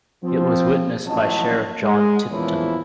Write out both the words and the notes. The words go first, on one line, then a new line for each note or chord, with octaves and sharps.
It was witnessed by Sheriff John Tipton.
F3 C4
A1 F3 F#3 C#4 D#5 A5
G#3
E2 A#2 E3 F3 C#4 E4